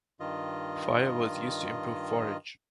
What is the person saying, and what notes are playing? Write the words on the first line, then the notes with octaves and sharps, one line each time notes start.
Fire was used to improve forage.
G2 D#3 F4 D#5